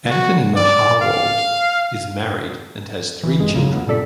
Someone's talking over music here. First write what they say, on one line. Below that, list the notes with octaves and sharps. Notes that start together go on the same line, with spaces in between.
Anthony Mahowald is married and has three children.
F#4
D5
F5
A#1 E3
B1 G2 G#3 G#4
E2 C#3 F#3
A3 B3
G2 A#2 C4 A4 D5 B6